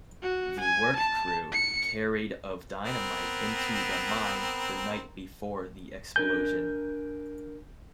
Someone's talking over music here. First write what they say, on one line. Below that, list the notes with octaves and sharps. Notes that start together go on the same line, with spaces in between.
The work crew carried of dynamite into the mine the night before the explosion.
F#4
G#5
A5
C#7
B3 C4 A#4
D4 A#4 G#5 G6